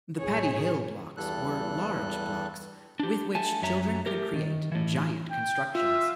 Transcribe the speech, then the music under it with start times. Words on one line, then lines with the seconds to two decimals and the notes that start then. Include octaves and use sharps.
The Patty Hill blocks were large blocks with which children could create giant constructions.
0.19 A1 G#4 C#5
1.17 E2 G2 G3 A4 F#6
3.00 D4 G4
3.35 A3 G#5 A5
3.62 F#2 F#3 E5 A#5
4.06 A3 G4 A#4
4.36 D#3
4.72 A2 E3
5.31 G5
5.75 F4 E5